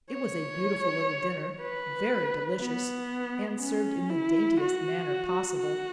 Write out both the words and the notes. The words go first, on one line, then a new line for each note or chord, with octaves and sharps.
It was a beautiful little dinner, very delicious, and served in the daintiest manner possible.
C#5
B4
B3
C#4
E4
F#4
F#4